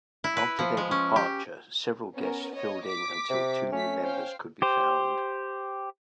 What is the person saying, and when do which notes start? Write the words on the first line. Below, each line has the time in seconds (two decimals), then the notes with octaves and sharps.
After their departure, several guests filled-in until two new members could be found.
0.24 E4
0.37 B4
0.59 F3
0.77 G#3
0.91 C#4
1.16 G4
2.16 B3 C#4 A#4
2.56 C#5 D#5
2.86 D6 B6
3.30 C3
3.72 A3 C#4 B6
4.03 C5 F5 G5
4.62 G4 C5